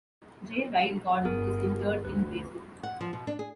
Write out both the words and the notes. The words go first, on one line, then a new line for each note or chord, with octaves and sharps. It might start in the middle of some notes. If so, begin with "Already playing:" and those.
J. Wright Gordon is interred in Brazil.
G1 B3 G#4 A#4
D2 B4
F#5
F3
B2
D4
G#4